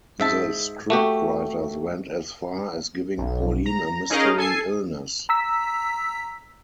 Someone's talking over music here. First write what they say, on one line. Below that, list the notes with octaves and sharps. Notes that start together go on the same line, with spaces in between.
The scriptwriters went as far as giving Pauline a mystery illness.
G#2 E5 A5
A3 F#4 G4
B1
A#5
C#4 D#4 G#4 A#4 D#5 F5
A4 G#5 C7
A#5 E6 B6